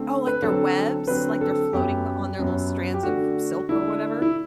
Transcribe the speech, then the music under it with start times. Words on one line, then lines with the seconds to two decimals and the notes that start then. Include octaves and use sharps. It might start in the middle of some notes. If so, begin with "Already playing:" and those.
Oh, like their webs? Like, they're floating on their little strands of silk or whatever?
Already playing: D3 A3 C4
0.27 B4
0.42 D3 F#3 C4 A4
1.07 D3 F#3 C4 B4
1.41 A4
1.73 F#2 F#3 B3 G4
2.39 F#2 F#3 B3
2.94 G4
3.03 D3 A3 D4 F#4
3.69 D3 A3 D4 E4
4.22 E4